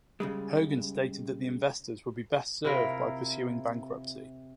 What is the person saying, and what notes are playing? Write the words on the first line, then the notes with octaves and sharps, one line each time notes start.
Hogan stated that the investors would be best served by pursuing bankruptcy.
C#3 G3 G#3
C3 E4 F4 A#4